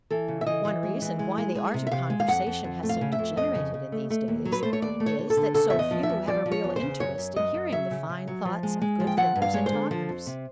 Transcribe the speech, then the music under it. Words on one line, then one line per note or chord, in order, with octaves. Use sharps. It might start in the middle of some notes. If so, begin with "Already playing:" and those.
One reason why the art of conversation has so degenerated in these days is that so few have a real interest in hearing the fine thoughts of good thinker and talkers.
E3 A4
C#3
E5
E3 D#5
E3
G#3
E3
G#3
G#3
G#3
C3
E5
C3 F5
G#3
F5
F2 F#5
F2
F2
A3
F5
C#3
E5
F2
F2 D#5
C#3
C#3
A3
A3
D#2
F#3
B4
A3 C5
C#5
D#2 D5
A3
C#5
D3
A4
D3
C#3 A4
E2 E5
D#5
F3
E5
E2
F3 D5
F3
C#5
E2
C5
C#3
F#2 C#5
F#2
F#2 D#5
F#2
F#3 E5
C#3
C#3
F#3
F3
G#3
G#3
F3
G5
F3 F#5
G2
F5
G#3 C#5
C5
D3
F3 C5
F2
C3